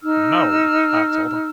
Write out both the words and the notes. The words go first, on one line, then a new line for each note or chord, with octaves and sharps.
No,' I told him.
D#4 E6 F6